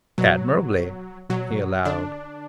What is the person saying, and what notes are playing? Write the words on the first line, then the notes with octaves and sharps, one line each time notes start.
"Admirably," he allowed.
B2 F#3
B2 F#3
D3 D4